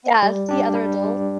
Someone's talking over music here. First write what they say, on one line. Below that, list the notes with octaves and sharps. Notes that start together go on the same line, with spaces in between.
yeah, see other adults.
G3
D4 G4
G3